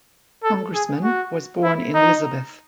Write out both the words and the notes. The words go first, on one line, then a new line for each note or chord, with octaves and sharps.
Congressman, was born in Elizabeth.
A4
G#4
F#4
E4
D#4